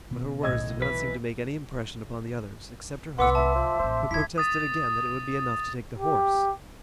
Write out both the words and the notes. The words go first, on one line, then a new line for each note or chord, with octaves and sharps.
But her words did not seem to make any impression upon the others, except her husband, who protested again that it would be enough to take the horse.
B2 D#3 B3
B1 A2 C#3 D#5 E6 G#6
E3 B4
C2 B3 F#5 C6 D6 E6
E5 A5
F3
A1 A#3 C5
F1 E4 G#6 B6
D#6 A6 D#7
G4